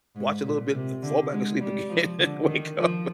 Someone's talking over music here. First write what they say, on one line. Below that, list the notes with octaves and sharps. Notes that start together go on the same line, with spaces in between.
watch a little bit, and fall back asleep again and wake up.
G#2
A#2
C3
D3
G#3
G3
F3
D3
D#3
F3